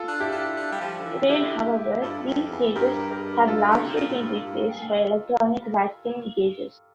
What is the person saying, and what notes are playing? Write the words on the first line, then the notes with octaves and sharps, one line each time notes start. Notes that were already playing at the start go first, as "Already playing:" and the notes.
Today, however, these gauges have largely been replaced by electronic vacuum gauges.
Already playing: F4 A4
D4
E4 G4
D4
D4
G3
F3
D3
E3
D3 E4 G4
G2 F4 A4
F2
E2
G2 G4 A#4
G4 A#4
F4 A4
D3
C3
A#2
A2
G2
G2